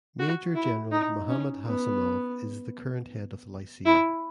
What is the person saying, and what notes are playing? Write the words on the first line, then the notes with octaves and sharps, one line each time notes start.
Major General Mahammad Hasanov is the current head of the lyceum.
F#4
E4
D#4
C#4
B3
E4